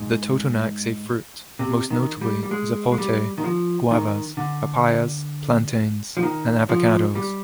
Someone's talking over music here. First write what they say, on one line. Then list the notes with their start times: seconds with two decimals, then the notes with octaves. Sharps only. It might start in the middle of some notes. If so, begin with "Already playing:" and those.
The Totonacs ate fruit, most notably zapotes, guavas, papayas, plantains and avocados.
Already playing: G#2
1.59 C3
1.90 D#3
2.21 G3
2.43 G3
2.51 G#3
2.92 G#3
2.98 G3
3.38 D#3
3.44 F3
3.91 D#3
4.37 D3
6.17 F3
6.23 D#3
6.69 F3
7.15 G3